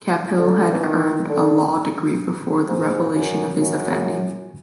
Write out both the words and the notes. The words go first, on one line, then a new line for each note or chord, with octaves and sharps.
Capill had earned a law degree before the revelation of his offending.
D3
E3
D#3
D3
G#2
F#2
F#2